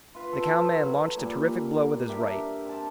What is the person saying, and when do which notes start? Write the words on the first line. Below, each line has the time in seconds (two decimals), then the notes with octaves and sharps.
The cowman launched a terrific blow with his right.
0.15 F4 B4
0.33 A4 A5
0.73 F#3
1.17 A#2 G3
2.09 D4 G4 A#4 E5
2.65 C4 A5